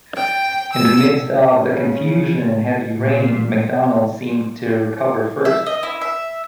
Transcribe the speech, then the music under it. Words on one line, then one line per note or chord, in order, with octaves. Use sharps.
In the midst of the confusion and heavy rain, MacDonald seemed to recover first.
G5
E6
C#3
A#2
E5
D#5
E4
E5